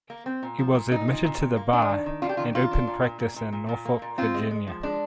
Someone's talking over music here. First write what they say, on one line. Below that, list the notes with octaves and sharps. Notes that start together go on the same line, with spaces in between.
He was admitted to the bar and opened practice in Norfolk, Virginia.
A#3
C4
A#2
F3
A#2
A#2 D#4
A#2
A#2
A#2
A#3
D4
D#3
D#3
D4 F4
G4
D#3 F4
D#3 F4
D4
A#2
A#2
A#2
A#2
A#2
A#2
A#3
A#2
C4 F4
G#3
G#3
F3
G#3 D4